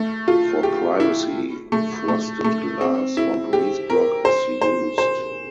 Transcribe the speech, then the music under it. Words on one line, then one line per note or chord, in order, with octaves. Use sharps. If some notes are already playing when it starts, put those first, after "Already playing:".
For privacy, frosted glass or breeze block is used.
Already playing: A3
F4
G4
E4
A3
A3
A3
C4
E4
G4
A#4
C5
C5
C5